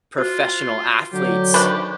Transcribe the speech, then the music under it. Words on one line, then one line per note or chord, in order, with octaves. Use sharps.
professional athletes
F4 F#4 C5
D3 F#3 G4
D#3 D4 B4 C5 C#6